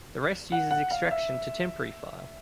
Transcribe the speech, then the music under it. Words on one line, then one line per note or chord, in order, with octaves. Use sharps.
The rest uses extraction to temporary file.
F#5
F#5
F5
E5